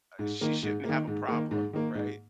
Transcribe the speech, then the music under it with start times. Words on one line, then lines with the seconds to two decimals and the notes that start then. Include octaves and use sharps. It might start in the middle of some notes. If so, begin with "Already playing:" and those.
uh, she shouldn't have a problem, right?
0.19 G#2
0.41 D#3 A#3
0.63 G#2
0.85 D#3 A#3
1.07 G#2
1.28 D#3 A#3
1.51 G#2
1.73 D#3 A#3
1.95 G#2